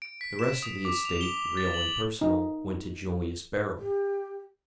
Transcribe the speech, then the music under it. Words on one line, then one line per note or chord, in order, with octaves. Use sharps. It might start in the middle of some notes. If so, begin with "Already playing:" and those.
The rest of the estate, real and personal, went to Julius Beryl.
D7
B6
E7
D#6
D6
F7
G7
A6
F#7
D#4
G4